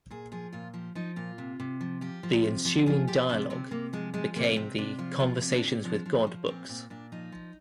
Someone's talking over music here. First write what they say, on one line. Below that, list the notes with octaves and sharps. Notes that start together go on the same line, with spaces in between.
The ensuing dialogue became the "Conversations with God" books.
A#2 G#4
F3 G#4
A#2 F4
F3 G4
F3 D#4
A#2 F4
C3
C3
F3
F3 G4
F3
C3
F3 G4
F3 G#4
F3 G4
C3 D4
C3 C4
C3 A#3
F3 G#3
F3 G#3
C3 A#3
C3 C4
C3 D4
F3 F4
F3 F4
C3
D4
C3 C4
F3 D4
F3
F3
A#2 C4
A#2 C4
A#2 D4
F3 D#4
F3